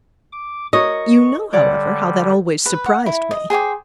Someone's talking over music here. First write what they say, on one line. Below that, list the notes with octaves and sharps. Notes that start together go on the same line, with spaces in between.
You know, however, how that always surprised me.
D6
F#4 A#4 C#5 D#5 C#6
D3 G3 C#5 D5 F#5
B4 B5
F#5
E4
D#5
G#4 C5 G5 D6